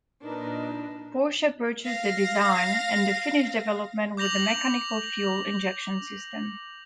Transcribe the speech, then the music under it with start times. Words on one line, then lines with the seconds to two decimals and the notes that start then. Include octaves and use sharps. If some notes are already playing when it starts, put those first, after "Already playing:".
Porsche purchased the design and the finished development with a mechanical fuel injection system.
0.21 A#2 D4 D#4 A#4 B4 D#5
1.85 F5 A#6
4.17 D6 G6 A#6 F7 F#7